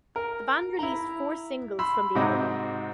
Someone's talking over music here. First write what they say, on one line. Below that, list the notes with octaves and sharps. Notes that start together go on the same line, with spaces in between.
The band released four singles from the album.
A#4
E4 A#5
B5 C6 E6
G#2 C3 C4 F#4 D#5 D6